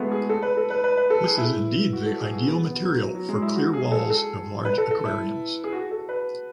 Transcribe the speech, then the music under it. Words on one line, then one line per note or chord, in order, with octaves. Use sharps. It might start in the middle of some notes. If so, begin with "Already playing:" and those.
This is indeed the ideal material for clear walls of large aquariums.
Already playing: G#3 A3 B3 F#4
G#4
A4
B4
A4
B4
B4
B4
A4
G#4
E4
F#4
A4
G#4
F#4
B3
B3
F#3
F#3
F#3
G#3
E4
F#4
G#4
A4
A4
B4
A4
A4
E4
G#4
F#4
A4
B4